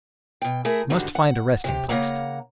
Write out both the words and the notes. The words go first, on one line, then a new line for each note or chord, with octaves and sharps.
I must find a resting place.
B2 G5
A3 E4 G#4 A#4
G#2 D3 D#3 G3 F#4
F#5
C3 G4
C#3 A#3 F#5 A#5